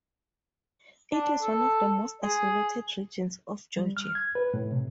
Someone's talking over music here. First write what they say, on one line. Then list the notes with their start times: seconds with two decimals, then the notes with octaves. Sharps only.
It is one of the most isolated regions of Georgia.
1.13 D4
1.42 A4
2.23 G#4
3.77 G3
3.97 F6
4.15 G#6
4.35 B4
4.54 A2
4.72 C3